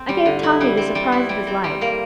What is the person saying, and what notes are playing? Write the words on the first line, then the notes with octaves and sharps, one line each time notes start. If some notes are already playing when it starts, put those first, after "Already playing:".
'I gave Tommy the surprise of his life.
Already playing: C4
G3
D3
E4
G3
C4
G3
E4
G3
C4
G3
A#3